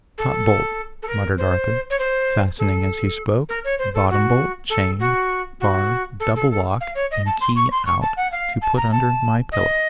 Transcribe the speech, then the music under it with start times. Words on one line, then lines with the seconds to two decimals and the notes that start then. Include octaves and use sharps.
'Top bolt,' muttered Arthur, fastening as he spoke, 'bottom bolt, chain, bar, double lock, and key out to put under my pillow!
0.18 A4
1.02 A4
1.07 A#4
1.38 C5
1.90 C#5
1.98 C5
2.58 A4
3.48 A#4
3.64 C#5
3.78 C5
3.94 A4
4.09 F#4
4.69 A4
4.99 F#4
5.60 F#4
6.19 A4
6.35 A4
6.50 A4
6.80 F5
6.95 C#5
7.11 D#5
7.25 A5
7.40 C6
7.55 C#6
7.71 C6
7.86 C#6
8.01 A5
8.16 F#5
8.31 F5
8.61 A5
8.76 A#5
8.91 A5
9.51 D#5